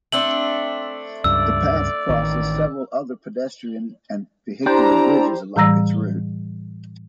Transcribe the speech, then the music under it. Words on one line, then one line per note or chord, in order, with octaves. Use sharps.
The path crosses several other pedestrian and vehicular bridges along its route.
A3 C4 D4 F#7
C#2 G2 D5 E6
A1 D#3
D4 E4 G4 C5 A#5
A2 E3 G3 A#5 E6 A#6